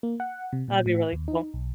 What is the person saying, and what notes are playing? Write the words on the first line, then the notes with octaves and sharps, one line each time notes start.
That'd be really cool.
A#3
F#5
C3
A#2
A2
D#2
D#4
B1